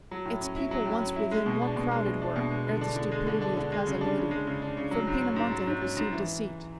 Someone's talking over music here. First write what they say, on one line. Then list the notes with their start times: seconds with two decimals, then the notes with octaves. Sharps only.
Its people once within more crowded were, Ere the stupidity of Casalodi From Pinamonte had received deceit.
0.11 F#3
0.25 A2
0.41 C#4
0.56 E4
0.71 F#3
0.86 A2
1.01 C#4
1.16 E4
1.31 G#3
1.46 B2
1.61 D4
1.76 B2
1.91 G#3
2.06 B2
2.22 D4
2.36 B2
2.51 G#3
2.67 D3
2.81 D4
2.96 D3
3.12 G#3
3.27 D3
3.42 D4
3.57 D3
3.72 G#3
3.86 C#3
4.01 D4
4.17 C#3
4.31 G#3
4.47 C#3
4.62 D4
4.77 C#3
4.91 F#3
5.07 G#2
5.21 C#4
5.36 G#2
5.52 F#3
5.67 G#2
5.81 C#4
5.97 G#2
6.13 E3